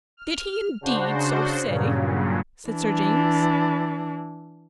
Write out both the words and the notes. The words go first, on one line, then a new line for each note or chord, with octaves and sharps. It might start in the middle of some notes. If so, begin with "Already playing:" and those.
"Did he indeed so say?" said Sir James.
F6
C#3 D4 F#4 C5
G2 A#2 C#3 F#3
E3 D4